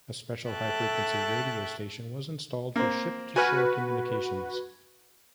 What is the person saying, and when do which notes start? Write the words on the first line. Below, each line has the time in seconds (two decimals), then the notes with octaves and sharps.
A special high frequency radio station was installed for ship-to-shore communications.
0.48 A4 E5 G5 A5 C#6 F#6
2.76 A#3 C4
3.36 F#4 B4 G#5 F6